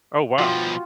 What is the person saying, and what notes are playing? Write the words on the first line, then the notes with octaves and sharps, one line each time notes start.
Oh, wow.
B2 F3 F4 F#4 G5